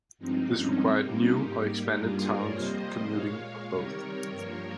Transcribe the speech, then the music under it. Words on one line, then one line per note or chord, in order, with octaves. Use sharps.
This required new or expanded towns, commuting, or both.
G2 F3 G#3 C4 D#4
C#4
C3 G3 A#3 C4 D#4
C#4 F4
G#2 G3 A#3 D#4 G4
G2 G3 A#3 F4 G#4
A#4 C#5
F2 C3 G3 A#3 C5 D#5
A#2 G#3 C#5 F5
C3 D#3 G3 A#4 C#5
G2 F3 A#3 A#4 C#5